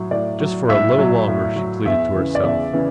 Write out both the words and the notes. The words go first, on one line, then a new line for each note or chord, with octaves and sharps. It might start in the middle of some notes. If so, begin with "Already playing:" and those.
Just for a little longer, she pleaded to herself.
Already playing: A2 F#3
A2 D5
F#3
A2 E5
F#3
A2
F#3
E2 E5
C#3 E3
D5
E2 E5
C#3 E3